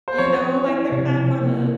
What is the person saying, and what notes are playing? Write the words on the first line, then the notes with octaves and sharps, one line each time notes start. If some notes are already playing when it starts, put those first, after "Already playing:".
You know? Like, they're not gonna
C5
F3 C#5
C4
E4
C3
F3
A#3